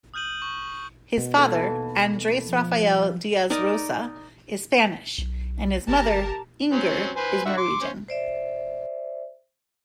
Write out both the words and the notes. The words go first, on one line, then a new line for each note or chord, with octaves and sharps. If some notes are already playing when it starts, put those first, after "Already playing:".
His father, Andres Rafael Diaz Rosa, is Spanish and his mother, Inger, is Norwegian.
D#6 F6 G6 D#7 F#7
C#6
B2
D#2 E3 A4
F3
D#4 A#4 D5 D#5
B1
G1 G4 A#4 A5
F#3 C4 C#4
B4 C5 G#5
D3 F#4 E5
C6 D6
C#4 C5
C5 D5 E5